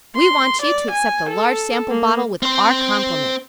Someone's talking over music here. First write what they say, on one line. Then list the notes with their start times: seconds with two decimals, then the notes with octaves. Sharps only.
We want you to accept a large sample bottle with our compliments.
0.15 C6
0.62 D5
0.92 G#5
1.30 A4
1.90 A#3
2.43 C4 C5